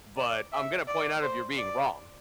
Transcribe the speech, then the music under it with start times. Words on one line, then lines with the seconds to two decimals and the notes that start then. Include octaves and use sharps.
but I'm gonna point out if you're being wrong,"
0.17 D5
0.52 E5
0.88 D5
1.22 C5
1.58 D5